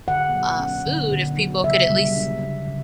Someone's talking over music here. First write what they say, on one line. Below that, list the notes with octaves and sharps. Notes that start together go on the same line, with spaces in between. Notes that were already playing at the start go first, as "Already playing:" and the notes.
uh, food if people could at least
D3 F#5
F#3
C#4
D3
D3
F#3
C#3 E5
G3
D4
C#3
C#3